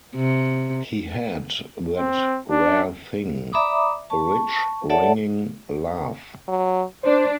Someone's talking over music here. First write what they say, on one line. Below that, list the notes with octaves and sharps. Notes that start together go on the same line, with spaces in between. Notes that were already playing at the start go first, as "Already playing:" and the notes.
He had that rare thing, a rich, ringing laugh.
C3
C4
D4
D5 E5 A#5 B5 D6 D#6
A5 C#6
A4 C#5 D5 E5 F#5 A5
F#3
D4 C5